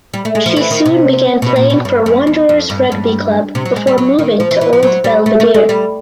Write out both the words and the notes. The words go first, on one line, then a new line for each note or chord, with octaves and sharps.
She soon began playing for Wanderers Rugby Club before moving to Old Belvedere.
G3
A3
G#3
F3
E3
D#3
C3
B2
A#2
B2
G2
F#2
E2
F2
G2
G2
C3
F#3
G#3
G3
F#3
D#3
F3
E3
E3
F3
F#3
G3
A3
A3
G#3
G3